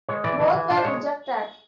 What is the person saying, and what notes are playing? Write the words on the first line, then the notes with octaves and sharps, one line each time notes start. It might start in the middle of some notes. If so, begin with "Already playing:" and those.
Both were rejected.
G#3 C#5
E3 D5
E3
E3
D4
C5
G#3 C#5